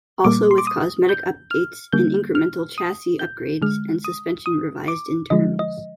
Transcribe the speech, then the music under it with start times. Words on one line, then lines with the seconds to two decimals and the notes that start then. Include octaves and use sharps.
Also with cosmetic updates and incremental chassis upgrades and suspension revised internals.
0.24 A#2 G3 A#3 D6
0.51 C6
0.58 D6
0.67 D#6
1.09 G6
1.51 F6
1.92 D3 G3 A#3 G6
2.35 F6
2.78 D#6
3.19 G6
3.62 D3 G#3 F6
4.05 D#6
4.46 D#6
4.88 D6
5.30 D3 F3 G#3 D#5
5.59 D#5